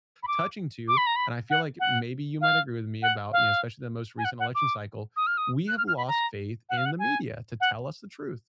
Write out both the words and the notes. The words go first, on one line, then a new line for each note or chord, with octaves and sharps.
touching to and I feel like maybe you might agree with me about, you know, especially the most recent election cycle, we have lost faith in the media to tell us the truth.
B5
D6
D6
B5
A#5
B5
F#5
F#5
F5
F#5
F5
G#5
F#5
F#5
D6
D#6
F6
D#6
F#6
F6
F6
B5
A#5
F#5
F5
F#5
G#5
F#5